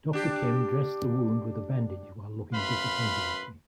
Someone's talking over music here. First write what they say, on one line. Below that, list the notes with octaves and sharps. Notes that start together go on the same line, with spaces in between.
Doctor Kim dressed the wound with a bandage while looking disappointed at me.
D4 G4
F#2 B4 F5 B5 C6